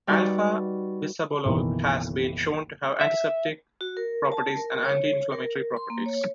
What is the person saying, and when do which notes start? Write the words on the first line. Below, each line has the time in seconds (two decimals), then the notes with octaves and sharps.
Alpha-bisabolol has been shown to have antiseptic properties and anti-inflammatory properties.
0.07 G3 D#4 F#4 B4 D5
1.45 F#1 B1 B2 D#3 E3
3.01 E5
3.81 F#4
3.97 A#4
4.32 A5
4.57 A#4
4.85 C#5
5.32 A#4
5.77 C6
5.90 A#3
6.06 C#5